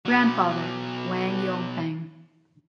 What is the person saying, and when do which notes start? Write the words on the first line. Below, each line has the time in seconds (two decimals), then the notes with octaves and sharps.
Grandfather — Wang Yongfang.
0.05 B2 F#3